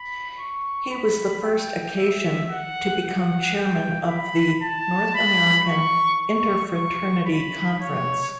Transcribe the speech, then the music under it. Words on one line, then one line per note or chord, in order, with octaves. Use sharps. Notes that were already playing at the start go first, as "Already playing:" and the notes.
He was the first Acacian to become chairman of the North-American Interfraternity Conference.
Already playing: B5
C#6
B5
G5
E5
F#5
F#5
G5
B5
A5
B5
C#6
C#6
C#6
B5
C#5